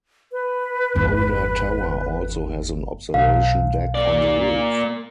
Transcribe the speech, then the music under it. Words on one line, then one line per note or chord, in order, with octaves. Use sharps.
Moda Tower also has an observation deck on the roof.
B4
G1 E2
B1 F5
A#3 D5